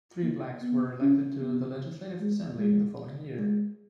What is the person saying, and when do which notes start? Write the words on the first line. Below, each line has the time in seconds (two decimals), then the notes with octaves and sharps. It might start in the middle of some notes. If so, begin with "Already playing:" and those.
Three Blacks were elected to the legislative assembly the following year.
0.23 A#3
0.62 B3
1.02 C#4
1.41 B3
2.21 G#3
2.59 G#3
3.38 G#3